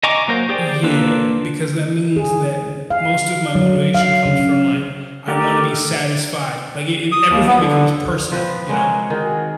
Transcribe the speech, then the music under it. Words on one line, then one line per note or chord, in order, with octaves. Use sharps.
Yeah, because that means that m most of my motivation comes from, like, "I wanna be satisfied." Like, i if everything becomes personal, you know?
D#5 G#5 A#5 C#6 D6
F#3 A#3 A#4 C5
G4 G#4 C5 D5 G5
A#3 D4 F4 A4 B4
G#4
F5
F#3
F5
C#3
A3 G4 A#4 D5
D#6
D#2
B3
D3
F3 C4 B4
G#3 A#4 C#5 F#5 G#5
D#3 F#4 G#4